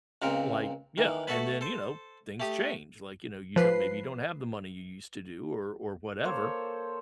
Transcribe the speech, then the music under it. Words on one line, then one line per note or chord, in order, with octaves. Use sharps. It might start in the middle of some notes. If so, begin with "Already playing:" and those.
Like yeah, and then, you know, things change, like, you know, you don't maybe you don't have the money you used to do or or whatever.
C#2 A#2 C4 A#4
D#3 E3
A3 F#4 A4 B4
A4 C5
A3 G4 D#6
F3 B4 C7
A#3 A4 C5 C#5